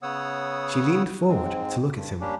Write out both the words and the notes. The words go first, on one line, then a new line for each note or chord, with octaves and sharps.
She leaned forward to look at him.
C#3 B3 C#5 F#5 D#6 E6
G#2 G#3 C4
G2
G3 A#3 C#4 D4 G4